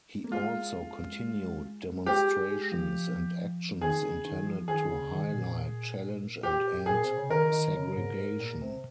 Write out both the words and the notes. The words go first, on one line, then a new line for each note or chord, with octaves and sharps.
He also continued demonstrations and actions intended to highlight, challenge and end segregation.
A#3
G#3 F4
G#3 G4
G#3
G#3
F3
D#3 G#4
C#3
D#3
F3
D#3 G#4
C#3
D#3
A#2
G4
A#2 G#4
C3
C#3
D#3 A#4
D#3
C#3
G#2
G#2
A#2
C3